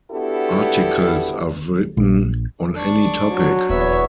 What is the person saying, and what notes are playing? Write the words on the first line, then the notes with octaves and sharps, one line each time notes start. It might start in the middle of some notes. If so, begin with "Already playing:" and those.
Articles are written on any topic.
B3 D4 E4 F#4 G4 A4
A#1
D4 C#6
F#3
D#1 E2 B3 C#5 E5